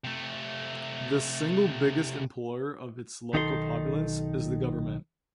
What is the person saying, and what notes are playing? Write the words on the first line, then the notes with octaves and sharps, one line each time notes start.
The single biggest employer of its local populace is the government.
C3 A3
B1 D#3 D#4 A4 D5 C6